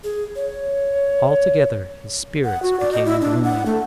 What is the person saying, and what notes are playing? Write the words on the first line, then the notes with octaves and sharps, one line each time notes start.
Altogether his spirits became gloomy.
G#4
C#5
F#5
F#4
D5
D#5
E4
D4
F#5
A3